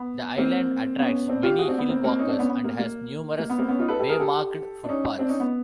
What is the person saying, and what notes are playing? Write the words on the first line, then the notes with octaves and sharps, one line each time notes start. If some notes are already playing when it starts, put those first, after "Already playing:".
The island attracts many hill walkers and has numerous way-marked footpaths.
Already playing: B3
A#3 C4
B3 C#4
C4 D4
F4 G4
F#4 G#4
C4 D4
B3
A#3 C4
A#3 C4
C#4 D#4
C4 D4
B3 C#4
B3
A#3
A#3
A#3
B3
A#3 C4
B3 C#4
D#4 F4
A4 B4
G4 A4
G#4 A#4
G4 A4
D4
C#4 D#4
C4 D4
C#4 D#4
B3